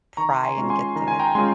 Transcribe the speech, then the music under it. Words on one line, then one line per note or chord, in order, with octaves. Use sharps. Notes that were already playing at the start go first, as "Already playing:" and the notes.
pry and get the
D#3 A#5 C#6
G#5 C6
G#3 C#4 F4
G#5 C6
D#3 A#5
G#5
G5 A#5
G#3 C#4 F4 G#5 C6